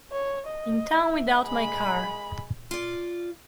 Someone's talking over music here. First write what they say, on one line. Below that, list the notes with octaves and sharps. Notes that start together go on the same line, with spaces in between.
In town without my car!
C#5
D#5
E5
G#3 B5
F4 D5